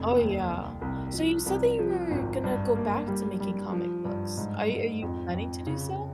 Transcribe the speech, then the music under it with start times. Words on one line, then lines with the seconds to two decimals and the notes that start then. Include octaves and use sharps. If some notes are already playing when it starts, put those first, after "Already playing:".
Oh, yeah, so you said that you were gonna go back to making comic books, are y are you planning to do so?
Already playing: F1
0.16 D#2
0.50 C2
0.81 C2
1.14 F3
1.46 C2
1.79 F3
2.11 G#1
2.44 G2
2.76 A#3
3.08 G3
3.40 G3
3.72 F3
4.05 G2
4.37 G#2
4.70 G#2
5.02 F2
5.34 F2
5.67 C#3